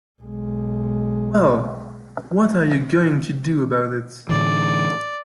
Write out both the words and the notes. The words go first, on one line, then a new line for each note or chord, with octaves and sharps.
Well, what are you going to do about it?
B1 G#3
A2 D3 E3 D5